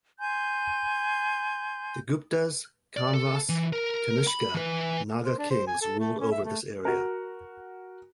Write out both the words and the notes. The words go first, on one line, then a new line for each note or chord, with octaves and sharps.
The Guptas, Kanvas, Kanishka, Naga kings ruled over this area.
G#5 C6 G6
D5
A4
E3
A#4
B5
E3 B4
C5
D4
C5
G#5
A4
A3
C#4
E5
A3
F#4 A#4